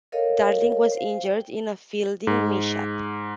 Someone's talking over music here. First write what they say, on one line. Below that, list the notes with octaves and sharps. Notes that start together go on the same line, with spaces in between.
Darling was injured in a fielding mishap.
A4 A#4 C#5 D#5 F5
C5 F5
G5
G#2